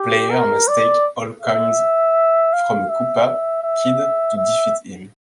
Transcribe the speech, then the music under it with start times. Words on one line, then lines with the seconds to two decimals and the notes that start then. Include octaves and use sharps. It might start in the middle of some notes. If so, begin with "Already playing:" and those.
Players must take all coins from a Koopa Kid to defeat him.
Already playing: G4
0.30 A#4
0.68 D5
1.42 E5
2.53 F5
2.89 E5
3.63 E5
4.36 E5